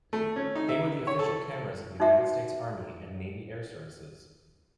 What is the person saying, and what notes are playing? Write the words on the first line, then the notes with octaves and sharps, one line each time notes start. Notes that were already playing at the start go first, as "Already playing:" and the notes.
They were the official cameras of the United States Army and Navy Air Services.
A3
C#4
D#4
E5
C#5
A4
D#4 F#4 E5 F#5